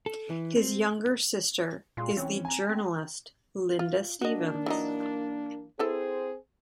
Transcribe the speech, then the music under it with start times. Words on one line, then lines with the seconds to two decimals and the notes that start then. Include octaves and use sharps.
His younger sister is the journalist Linda Stevens.
0.06 A4
0.30 E3
0.57 C4
1.97 A#2 G#3 F4 C6
2.17 E3 C4 C#4
2.45 G#5 A#5
2.69 C4
3.79 F4
4.21 A#3 D4 F#4 D#5
4.66 E3 F#3 D#4
5.79 C4 E4 G#4 A4 B4 C5